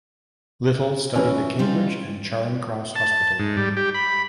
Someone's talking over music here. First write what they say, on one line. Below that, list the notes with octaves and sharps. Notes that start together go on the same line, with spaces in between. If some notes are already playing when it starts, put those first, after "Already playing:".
Little studied at Cambridge and Charing Cross Hospital.
E3 C#4 B4
G3 D#4 F4
A5
G#2
G3
G4
B5